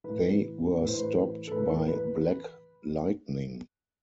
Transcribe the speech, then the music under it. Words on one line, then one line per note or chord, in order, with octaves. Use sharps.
They were stopped by Black Lightning.
A2 E3 B4
A2 E3 B4
C5
B4
A4
A2 E3 B4
B4